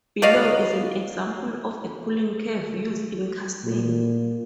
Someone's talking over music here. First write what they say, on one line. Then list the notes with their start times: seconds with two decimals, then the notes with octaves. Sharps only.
Below is an example of a cooling curve used in castings.
0.22 F#3 D5 D#5 F5
3.64 A#2